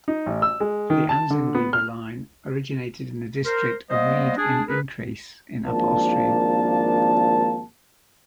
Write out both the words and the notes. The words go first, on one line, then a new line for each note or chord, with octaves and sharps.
The Anzengruber line originated in the district of Ried im Innkreis in Upper Austria.
D#4
A1
E6
G#3
D#3
A5
D3
B3
F6
A#4 C5
G3 A#3 B3 C5 D#5
D4 G#4
G#4 A#4 B4
G#1 F3 A#3 D4 A5